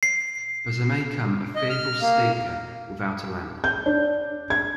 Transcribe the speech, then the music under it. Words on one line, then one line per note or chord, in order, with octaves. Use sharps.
But I may come a fearful stinker without a lamp.
C7
D#5
F6
A#3
G6
D4
G#6